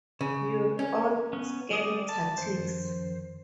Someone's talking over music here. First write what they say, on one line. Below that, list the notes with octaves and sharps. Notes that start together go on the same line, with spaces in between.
You're on "Scare Tactics"!
C#3
C#4
B3 C#4
G3 D5 D6 D#6
A5
F#2 D#3 F3 C5